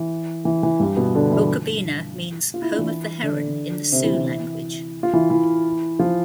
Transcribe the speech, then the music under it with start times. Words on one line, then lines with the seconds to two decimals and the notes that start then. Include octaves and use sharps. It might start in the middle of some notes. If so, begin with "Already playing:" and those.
Okabena means "home of the heron" is the Sioux language.
Already playing: E3
0.45 E3
0.63 E3
0.80 G2 G3
0.97 B2 B3
1.15 D3 D4
1.31 E3 E4
2.54 F4
2.62 E4
2.71 D4
2.78 E3 E4
3.23 D3 D4
3.92 C3 C4
4.04 E3 E4
4.14 E3 E4
5.03 F4
5.13 E3 E4
5.30 E3 E4
5.99 F3 F4